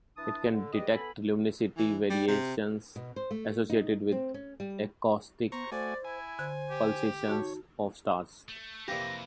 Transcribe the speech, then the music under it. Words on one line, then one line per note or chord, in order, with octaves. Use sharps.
It can detect luminosity variations associated with acoustic pulsations of stars.
E3 D4 A5 D#6
D3
G4 G#4 B4 D5 D#5
B3 A4 G#5 B5
E3
G3
C3
B2
C5
A3
D#4
C4
C#4
G3
B3 C5 A#5 C#6
A3 F#4 C5 D5 G#5
E4 G#5
D3 C5
G4
D#4 F#4 C#5 A5
A3
F2 C3 E3 A#3 G4 D5 A#6